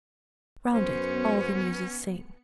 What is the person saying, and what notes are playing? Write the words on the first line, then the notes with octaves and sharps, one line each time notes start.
Round it all the Muses sing.
F#2 B3 C#4 C5 C#7